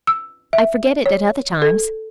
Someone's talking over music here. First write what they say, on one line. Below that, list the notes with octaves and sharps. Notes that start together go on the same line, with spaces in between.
I forget it at other times.
E6
E5
C#5
A4